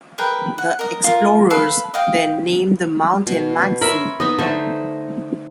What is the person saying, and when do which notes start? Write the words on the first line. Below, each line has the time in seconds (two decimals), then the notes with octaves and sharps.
The explorers then named the mountain "Magazine".
0.18 G#4 A#4 B4 G5
0.58 F#5
0.79 A#4 D#5
1.04 F4 A#4
1.50 A4 B4 F5
1.94 D#5 F5 G5
3.27 B2
3.81 A#4 C#5 E5 B5 C6
4.20 B3 D#4 D#5 E5
4.38 D3 A3 D#4 C5 E5